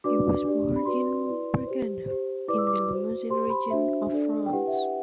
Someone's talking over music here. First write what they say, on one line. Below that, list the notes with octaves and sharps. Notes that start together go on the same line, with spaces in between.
He was born in Bourganeuf, in the Limousin region of France.
D4 F#4 B4 D5 D6
D4 G4 D5
B5
F#4 B4 D5 C6
E4 B4 D5
G4 C5
G4 C5
E4 B4 D5 D6
E6
D6
F#4 C5
G4 C5 C6
B5
D4 F#4 C5 E5
D4 A4 D5
G5
E4 G4 B4 F#5
E5
F#5